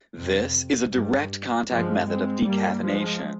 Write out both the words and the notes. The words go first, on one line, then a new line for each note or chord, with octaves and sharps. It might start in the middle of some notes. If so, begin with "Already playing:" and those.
This is a direct-contact method of decaffeination.
F2 C3
G2
G2 F3 G#3
G#3 C4
G2 G3 A#3
F3 G#3